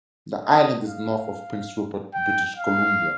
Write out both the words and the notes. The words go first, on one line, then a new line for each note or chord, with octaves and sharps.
The island is north of Prince Rupert, British Columbia.
D#5
F5
G5
F5